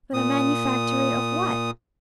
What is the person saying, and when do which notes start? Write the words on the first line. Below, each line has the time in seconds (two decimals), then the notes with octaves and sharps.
But a manufactory of what?
0.14 A#2 D#6